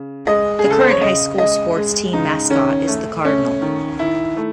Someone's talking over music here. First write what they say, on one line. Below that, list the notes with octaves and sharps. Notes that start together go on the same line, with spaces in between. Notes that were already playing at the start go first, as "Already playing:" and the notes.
The current high school sports team mascot is the cardinal.
Already playing: C#3
G#3 D#5
C#3 G#4
A4
C5
C#5
C#3 D#5
G#3 D#5
G#3
C#3 D#4
D#3 C#4
A3
A3 C#4
D#3
D#3 E4
A3